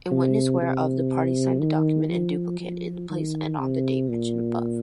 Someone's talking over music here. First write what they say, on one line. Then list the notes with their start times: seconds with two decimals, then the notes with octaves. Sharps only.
In witness whereof, the parties sign the document in duplicate, in the place and on the date mentioned above.
0.11 C3
0.62 C3
1.61 D#3
2.10 F3
2.60 F3
3.10 D#3
3.59 C3
4.09 A#2